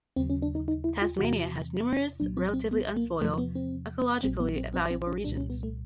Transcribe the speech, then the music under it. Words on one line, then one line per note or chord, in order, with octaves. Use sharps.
Tasmania has numerous relatively unspoiled, ecologically valuable regions.
D#2 C#3 F#3 C4
C#4
D4
D#4
D#4
E4
F4
E2 C3 E3 F#4
C2 A#2 F#3 D4
C4
C4
B3
A#3
E2 C3 F3 A3
B3
C4
A#1 A#2 F#3 C4
B3
C4
C4
C4
C#4
C2 A#2 G3 D4
C#4
B3
A3